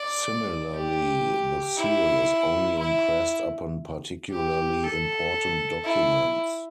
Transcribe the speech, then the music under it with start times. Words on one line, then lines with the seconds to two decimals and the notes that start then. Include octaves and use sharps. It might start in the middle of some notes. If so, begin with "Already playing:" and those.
Similarly, the seal is only impressed upon particularly important documents.
Already playing: D5
0.76 G4
1.78 E4
2.80 E4
4.32 G4
4.84 A4
5.85 E4